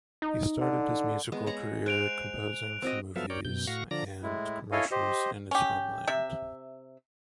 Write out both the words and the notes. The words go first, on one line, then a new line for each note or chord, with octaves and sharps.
He started his musical career composing for movies and commercials in his homeland.
D#4
D3
G#3 B3
C#5 F#5 A#5
C5 F#6 D7 F7
C4 F#4 D#5
F3 F#3 B3 A4 E5 F5
A#4 C#5 D5 G5
F#2 B2 G6
A2 F#4 F5 C#6 A#6
D3 F3 D5 A#5 A#6
A2 G#3 E4
E4 A4 C#5 D#5 F5 G#5
G4 C5 D#5
C#4 G4
C3 E5